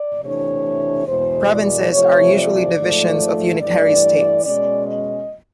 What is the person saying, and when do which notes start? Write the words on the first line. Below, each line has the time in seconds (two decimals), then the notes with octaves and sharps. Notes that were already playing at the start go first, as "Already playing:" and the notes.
Provinces are usually divisions of unitary states.
Already playing: D5
0.22 C3 E3 A3 D4 C#5
1.06 E2 B2 G#3 C5
1.48 D5
1.91 C3 F3 A3 C#5
2.33 D5
2.75 G#2 F3 A3
3.59 G2 E3 A3 D5
4.43 B2 G#3 C#4 D5
4.85 D#5